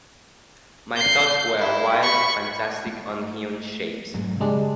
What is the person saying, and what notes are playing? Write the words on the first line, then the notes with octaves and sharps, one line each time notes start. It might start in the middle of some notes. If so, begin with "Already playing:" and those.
My thoughts wear wild, fantastic, unhewn shapes.
G6 C7
E4
B5 C#6
A3
G#2 F#3 G#3
C#3 G3 G#3 D4